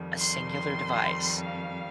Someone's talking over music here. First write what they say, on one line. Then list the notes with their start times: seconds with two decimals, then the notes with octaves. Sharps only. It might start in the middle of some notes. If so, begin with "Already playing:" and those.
a singular device
Already playing: F2 D#3 G3
0.19 C6
0.49 C6
1.38 F5